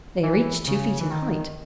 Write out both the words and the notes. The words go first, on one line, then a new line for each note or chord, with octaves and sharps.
They are each two feet in height.
E3
C#3
E3
D#3